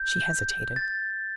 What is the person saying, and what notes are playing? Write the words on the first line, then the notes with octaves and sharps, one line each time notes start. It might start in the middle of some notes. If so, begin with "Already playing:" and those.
She hesitated.
Already playing: G6
A6